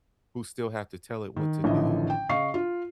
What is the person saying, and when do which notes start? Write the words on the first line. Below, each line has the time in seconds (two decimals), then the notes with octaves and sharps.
who still have to tell it what to do.
1.36 D#3
1.64 A1 D3 D#3 F3 E4 D#5
2.10 G5
2.29 C#3 D#5 F5 C#6 C7
2.54 F4